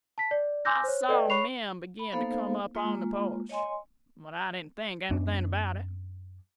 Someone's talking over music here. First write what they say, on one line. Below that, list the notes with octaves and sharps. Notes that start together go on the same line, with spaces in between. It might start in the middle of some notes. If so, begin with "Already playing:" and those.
I saw men begin to come upon the porch, but I didn't think anything about it.
A5 B6
D5
G#5 C6 D6 E6 G6 A#6
C5 C#5
A4 B4 D5 D#5 G5
C#5 B5 C#6 C7 F7
B5
A#3 B3 D#4 A4 C5 F5
G#3 A#3 F4
C#5 D#5 G#5 C6
F#2 B3 C#4 D4